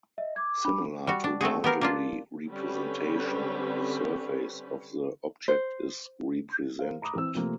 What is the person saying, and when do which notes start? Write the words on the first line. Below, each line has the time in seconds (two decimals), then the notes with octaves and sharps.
Similar to boundary representation, the surface of the object is represented.
0.18 D#5 E5
0.36 D6 G#6
0.65 D4 B5
1.07 G3 F#4
1.24 D4
1.41 A3 C4 F#4 G#4
1.64 B3 G4 A#4 F5
1.81 A#3 D4 F4
2.48 D3 G3 C4 C#4 B4
5.48 C5
6.79 A#4 C5 F5
7.02 A#5 B5 D6 D#6
7.16 E3 C4 E6
7.35 C3 F3 A3 A#3 C4